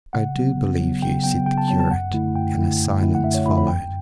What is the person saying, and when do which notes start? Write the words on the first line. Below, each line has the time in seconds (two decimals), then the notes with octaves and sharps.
"I do believe you," said the curate, and a silence followed.
0.13 C#3 F#5
0.35 F#3 B3
0.58 C#3
0.80 F#3 B3
1.02 C#3 G5
1.24 F#3 B3 G5
1.46 C#3 G5
1.58 A5
1.68 F#3 B3 A5
1.80 A5
1.91 F#2 F#5
2.14 D3 A3 E4
2.35 F#2 G5
2.57 D3 A3 E4
2.80 F#2
3.01 D3 A3 E4
3.15 F#5
3.24 F#2 E5
3.34 C#5
3.46 D3 A3 E4 B5
3.57 B5
3.68 F#2 G5